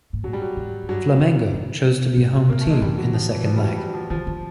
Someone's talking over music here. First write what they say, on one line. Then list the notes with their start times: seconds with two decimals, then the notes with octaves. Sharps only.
Flamengo chose to be home team in the second leg.
0.13 A2
0.23 A#2 F#3
0.33 G3
0.42 F#3
0.56 G#2
0.83 G#2
0.88 G2 F#3
1.20 F#2
1.53 G2
2.17 A2
2.33 A2
2.49 A#2 A#3
2.61 A3
2.66 E3
2.71 G#3
2.82 E3 G3
2.98 F#3
3.14 F3
3.30 E3
3.45 F3
3.56 G3
3.62 F#3
3.78 G3
3.88 F#3
3.94 F3
4.10 D#3 F3
4.27 D3